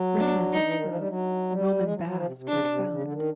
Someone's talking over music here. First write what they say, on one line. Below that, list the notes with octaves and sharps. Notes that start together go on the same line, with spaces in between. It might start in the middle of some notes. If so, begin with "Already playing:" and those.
Remnants of Roman baths were found.
Already playing: F#3
D4
E3 D#4
E3
D#3
F3
G3
F#3
G3
G#3
F#3
F#3
F3
C3
C3
C#3 D4
C3
C3
C#3
C#3
D3
D#3